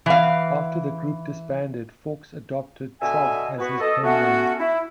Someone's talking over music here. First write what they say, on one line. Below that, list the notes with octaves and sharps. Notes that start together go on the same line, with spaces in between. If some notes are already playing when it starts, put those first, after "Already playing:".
After the group disbanded Fawkes adopted 'Trog' as his pen-name.
E3 F5
B2 D3 D#5 E5 G#5
B3 E4 F#4 B4
A4 D#5
A3 B3 C#4 F#4
E4